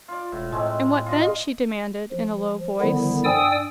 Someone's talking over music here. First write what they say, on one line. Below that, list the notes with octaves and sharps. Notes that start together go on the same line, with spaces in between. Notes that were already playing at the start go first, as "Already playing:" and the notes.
"And what then?" she demanded, in a low voice.
F4 D5
E1 A2
A2 G#3 A3 C4
F4 D5 D#5
F3
D3 D#3 F3 G3 B3 E4
G2 D5 G5 G#5 D#6 E6